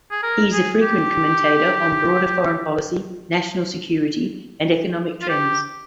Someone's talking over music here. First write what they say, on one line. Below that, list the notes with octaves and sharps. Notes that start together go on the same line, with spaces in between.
He is a frequent commentator on broader foreign policy, national security, and economic trends.
G#4
A#4
G#4
G4
F4
G4